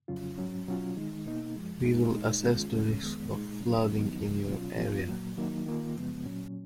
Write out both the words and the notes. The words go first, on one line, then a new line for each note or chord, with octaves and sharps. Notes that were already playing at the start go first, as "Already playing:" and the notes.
We will assess the risk of flooding in your area.
F2 C#3 F#3 C#4 F4
G#2 F#3 C#4
B2 F#3 C#4 F4
D#3 G#3 D#4
B2 A#3 D#4
F#2 F3 G#3
A#2 G#3 B3 D#4
A#2 G#3 D#4
F2 D#3 G#3 C#4 F4
F2 C#3 G#3 C#4
F2 D#3 G#3 B3
A#2 G#3 D#4
A#2 F#3 C#4
F2 D#3 F#3 B3 D#4
C#3 F3 G#3
B2 F#3 C#4 F4
G#2 F3 B3 F4
A#2 F#3 A#3
D#3 F#3 A#3 D#4
D#3 A#3 F4
F#2 C#3 F3 G#3 B3
A#2 F#3 C#4